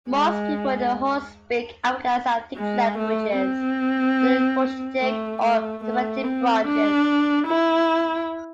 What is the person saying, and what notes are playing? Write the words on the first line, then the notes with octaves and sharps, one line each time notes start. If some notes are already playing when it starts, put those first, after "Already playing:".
Most people in the Horn speak Afroasiatic languages of the Cushitic or Semitic branches.
G#3
G#3
A3
C4
A3
A3
A3
C4
D4
E4